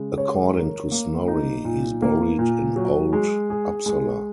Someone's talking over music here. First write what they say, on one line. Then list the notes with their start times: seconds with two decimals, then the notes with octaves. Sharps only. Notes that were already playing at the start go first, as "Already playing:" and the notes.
According to Snorri, he is buried in Old Uppsala.
Already playing: C#3 G#3
0.18 C#5
0.55 A#4
0.92 A#3
1.28 D#4
1.65 A#2
2.02 A#3
2.39 A#2
2.76 F#3
3.13 G#3
3.50 G#4
3.86 G#3